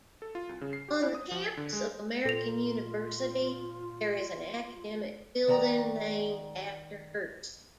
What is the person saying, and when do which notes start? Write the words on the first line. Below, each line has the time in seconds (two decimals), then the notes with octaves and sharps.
On the campus of American University, there is an academic building named after Hurst.
0.22 A4
0.35 F4
0.49 C2
0.61 C#3
0.73 C7
0.88 G4
1.02 E4
1.15 D#6
1.31 F3
1.44 G#6
1.57 D3
1.73 G#3
2.25 A#2 F4 A4 F7
5.48 D#3 D5 F#5 A#5